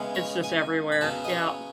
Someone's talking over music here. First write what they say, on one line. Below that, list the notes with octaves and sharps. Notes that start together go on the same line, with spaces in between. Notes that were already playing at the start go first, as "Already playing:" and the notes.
It's just everywhere, yeah.
Already playing: C#3 E3 G#3 B3
C#5
G#5
B5
C#3 F#3 B3 A5
D#5
C#5